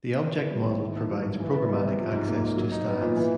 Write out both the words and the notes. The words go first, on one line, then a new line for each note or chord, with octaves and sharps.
The object model provides programmatic access to styles.
E3
B3
G3
A2
D#3
A3
F#3
G2
E3
B3
G3
C3
F3
G#2
A#3
G#2
F#3
D#4
B3
A#2
E3